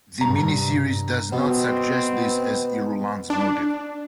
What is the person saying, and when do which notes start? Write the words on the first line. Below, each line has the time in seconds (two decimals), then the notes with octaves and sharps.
The miniseries does not suggest this as Irulan's motive.
0.21 G2 C3 A#5
1.33 B2 B3 C4
3.30 D4